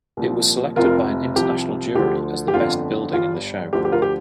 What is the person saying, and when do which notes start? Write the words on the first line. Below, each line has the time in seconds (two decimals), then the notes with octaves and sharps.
It was selected by an International jury as the best building in the show.
0.17 C2 A#2 F3
0.76 F1 F2 C3 F3 F4 A#4
1.36 C2 C3 F3 G4
1.95 D2 D3 F3 G4
2.48 G4
2.54 G1 F2 D3 F3 F4
3.13 G1 G2 G3 F4
3.73 D2 D3 F3 G4
3.85 G4
3.92 F4 A#4
4.02 G4